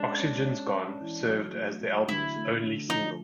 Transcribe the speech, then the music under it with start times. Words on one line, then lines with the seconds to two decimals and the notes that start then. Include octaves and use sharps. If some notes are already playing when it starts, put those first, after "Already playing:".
"Oxygen's Gone" served as the album's only single.
Already playing: G#3 C#4 D4
0.19 C#4
0.46 C#4
0.73 C#4
1.01 E3
1.28 F#3
1.54 A3
1.81 F#3
2.08 D3 E4
2.36 A3
2.63 D3
2.89 F3 D#4